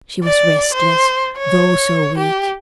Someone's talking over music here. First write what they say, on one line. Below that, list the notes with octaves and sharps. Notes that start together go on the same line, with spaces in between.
She was restless, though so weak.
D5
C5
C#5
G4